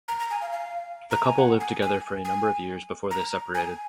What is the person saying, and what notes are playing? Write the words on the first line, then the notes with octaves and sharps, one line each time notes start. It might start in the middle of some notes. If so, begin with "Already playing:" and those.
The couple lived together for a number of years before they separated.
A#5
A#5
G#5
F5
F5
A#5
G#5
F#5
G#5
G#5
G#5
A#5
G#5